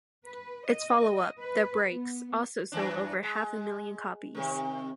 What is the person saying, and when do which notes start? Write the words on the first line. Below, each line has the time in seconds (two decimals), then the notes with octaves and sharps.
Its follow-up, "The Breaks", also sold over half a million copies.
0.25 B4
0.66 D#5
1.40 B4
1.90 B3
2.72 F#2 E3 D4
3.23 G#3
4.35 C3 D#3